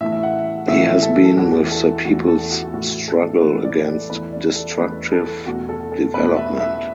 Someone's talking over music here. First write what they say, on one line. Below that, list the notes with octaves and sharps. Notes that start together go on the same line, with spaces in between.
He has been with the people’s struggle against destructive development.
A2 E3 A3 E5
E5
F#5
A2 E3 A3 E5
A4
A4
E2 E3 A3 F#4
A4
E2 E3 A3 F#4
A4
F#4
A2 E3 A3 F#4
A4
A2 E3 A3 B4
D5
A4
E2 E3 A3 B4
D5
A4
E2 E3 A3 B4
A4
E2 B2 A3 F#4
A4
A4
E2 B2 A3 B4
E5
E5